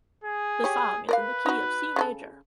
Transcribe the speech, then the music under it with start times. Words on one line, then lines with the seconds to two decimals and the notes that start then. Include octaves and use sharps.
The song is in the key of C major.
0.24 G#4
0.64 G4 C#5
1.09 A#4 B4 D5 F5
1.46 D#4 F#4
1.96 C#3 F4 A4